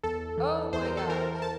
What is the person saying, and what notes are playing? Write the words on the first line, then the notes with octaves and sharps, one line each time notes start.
Oh my gosh.
E2 A4
E3
E2 C5
A#4
A4
E3 A#4
A5